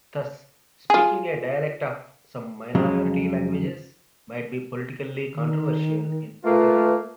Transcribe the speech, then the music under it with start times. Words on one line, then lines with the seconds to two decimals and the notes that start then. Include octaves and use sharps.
Thus, speaking a dialect of some minority languages might be politically controversial in Italy.
0.90 F4 G#4
2.75 F2 C#3 F#3 G#3
5.34 D#3
6.44 A3 A#3 F4 B4